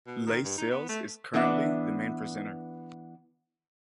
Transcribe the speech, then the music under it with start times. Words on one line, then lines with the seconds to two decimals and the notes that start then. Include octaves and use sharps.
Leigh Sales is currently the main presenter.
0.07 B2
0.27 D#3
0.44 G2
0.58 D#4
0.70 B3
0.89 A3
1.34 E3 B3 D4 E5